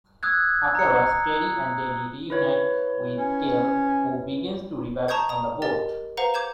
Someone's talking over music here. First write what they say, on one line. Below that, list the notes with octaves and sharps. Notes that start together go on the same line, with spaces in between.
Afterwards, Terri and Danny reunite with Cale, who begins to revive on the boat.
D#6 E6 F#6 G#6
A#5 C#7
E4 B4 C#5
C#4
A5 A#5 C#6 D#6 G6 G#6
A#5 D#6
G4 A#4 D#5 A6
B4 C5 F5 F#5 A#5
D6 G6 G#6 E7